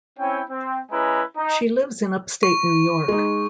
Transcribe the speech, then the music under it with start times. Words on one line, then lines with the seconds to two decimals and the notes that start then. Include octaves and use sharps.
She lives in upstate New York.
0.19 C4 C#4 E4 G5
0.49 C4
0.91 G#3 C#4 E4 B4 G#5 A#5
1.36 D#4
2.43 C#6
3.08 G#3 D#4